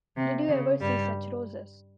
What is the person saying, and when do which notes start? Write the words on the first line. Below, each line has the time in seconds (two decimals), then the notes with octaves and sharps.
Did you ever see such roses?
0.15 C3
0.48 C#3
0.81 G2 G3